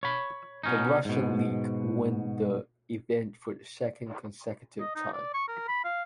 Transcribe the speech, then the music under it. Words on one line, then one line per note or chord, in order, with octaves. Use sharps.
The Russian League won the event for the second consecutive time.
C#5 B5
B2 C#4 D#4
G#2 B2
D#5
D#4
D5
C#6
A#4
B5
F5